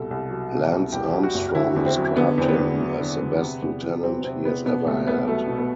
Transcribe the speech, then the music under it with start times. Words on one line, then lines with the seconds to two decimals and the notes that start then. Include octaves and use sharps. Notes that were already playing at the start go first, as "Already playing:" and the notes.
Lance Armstrong described him as the best lieutenant he has ever had.
Already playing: C2 B2 A4
0.11 C2
0.30 F#3
0.52 B2
0.72 C2
0.92 E2 G4
1.13 F#3
1.23 F#4
1.34 F#1
1.55 D3 E4
1.76 E2
1.86 C4
1.97 F#3
2.17 D3 B3
2.38 E2 C4
2.48 B3
2.59 E2
2.79 F#3
3.00 D3
3.20 E2
3.42 C3
3.62 E2
3.82 E2
4.03 F#3 C4
4.24 C3 C4
4.44 E2 B3
4.65 B2 B3
4.86 C2 A3
5.06 C2 B3
5.27 F#3 A3
5.48 B2
5.58 B3